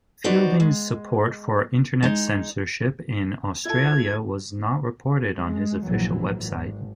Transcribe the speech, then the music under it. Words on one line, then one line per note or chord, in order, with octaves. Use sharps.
Fielding's support for Internet censorship in Australia was not reported on his official website.
B3 D#4 F#4 C5 D5
G#3
G#3 D#4
E4 F4 A4 G#6
G#3
A#1 G#2 E3 F#3
G#1